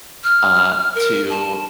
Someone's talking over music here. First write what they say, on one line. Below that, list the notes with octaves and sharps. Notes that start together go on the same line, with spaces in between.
uh, to
F6
A#4
A5